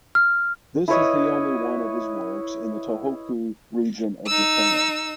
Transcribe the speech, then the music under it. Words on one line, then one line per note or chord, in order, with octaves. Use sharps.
This is the only one of his works in the Tohoku region of Japan.
F6
E4 B4 C#5 D#5
D#4 E6